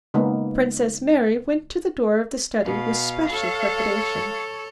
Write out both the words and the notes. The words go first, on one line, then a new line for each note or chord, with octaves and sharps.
Princess Mary went to the door of the study with special trepidation.
C#3 G#3 A#3 B3 D#4
B2 F5
A4 C#5